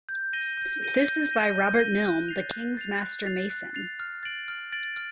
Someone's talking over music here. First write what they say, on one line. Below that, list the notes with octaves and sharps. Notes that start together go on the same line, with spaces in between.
This is by Robert Mylne the King's Master Mason.
G6
A#6 D#7 G7
G6
A#6 D#7 G7
G6
A#6 D#7 G7
G6
A#6 D#7 G7
F#6
A6 C7 F7
F#6
A6 C7 F7
F#6
A6 C7 F7
F#6
A6 C7 F7
F6
A6 D7 F#7
F6
A6 D7 F#7
F6